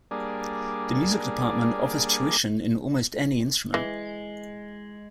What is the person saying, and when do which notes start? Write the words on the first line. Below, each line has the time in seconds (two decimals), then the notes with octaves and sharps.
The Music department offers tuition in almost any instrument.
0.11 G3 A#3 D4 G#4
3.74 E3 G#3